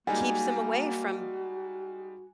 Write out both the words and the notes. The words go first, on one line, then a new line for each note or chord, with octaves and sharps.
keeps them away from
G3 G#3 A#3 D#4 F#4 G#5